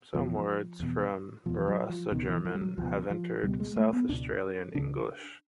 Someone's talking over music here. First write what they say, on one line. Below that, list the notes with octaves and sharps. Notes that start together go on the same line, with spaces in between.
Some words from Barossa German have entered South Australian English.
E2 B2 F3
E2 B2
E2 B2 F3
F#3
F3
C#2 B2 D#3
E3
F3
G3
F#3
C#2 B2 F3
F3
C#2 B2 G3
G#3
A3
B3
C#2 B2 D4
C#2 C#3 D4